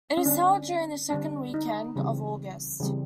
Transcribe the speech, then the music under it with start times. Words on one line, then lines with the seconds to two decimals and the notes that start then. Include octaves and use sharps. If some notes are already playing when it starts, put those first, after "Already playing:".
It is held during the second weekend of August.
0.17 C#4
0.26 D3 G3 C4 D4
1.10 D3 G3 C4 D4
1.54 D#4
1.96 C#3 E3 G3 C4
2.80 C#3 E3 G3 C4